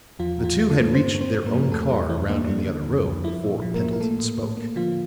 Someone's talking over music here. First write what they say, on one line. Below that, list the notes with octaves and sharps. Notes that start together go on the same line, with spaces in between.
The two had reached their own car around on the other road before Pendleton spoke.
E2 F3 F4
E2
F3 F4
E3
A3 A4
A#3
G2 C4 C5
G2
C4 C5
G2
A#3 A#4
F3
A#4
E2 A3 A4
E3 G3 G4
E2 E4
A#3 D4
G3 D4
D3
F2
F2
F3 E4
A#2
F3
A#3 A#4
A#2
A#4
A3 A#3 A4
A2
A2
A#3
D3 F3 F4